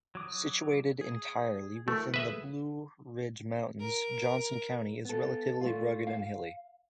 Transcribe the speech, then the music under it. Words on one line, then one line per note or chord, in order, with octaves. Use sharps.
Situated entirely within the Blue Ridge Mountains, Johnson County is relatively rugged and hilly.
F#3 D6 D#6
G#4
A3 E4 F#4 A#4
G#4 A4 B4 E5
A#4
B3 A4
A3 F4
F5